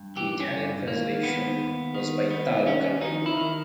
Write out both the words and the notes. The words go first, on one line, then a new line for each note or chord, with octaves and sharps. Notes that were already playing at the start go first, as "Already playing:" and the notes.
The Italian translation was by Italo Calvino.
Already playing: G2
E3 G4
C#4
G2
D#2 A#3
D#2 B3
D#2
D#3
D#3 B3
D#2 C#4
D#3 D#4
E4
D#3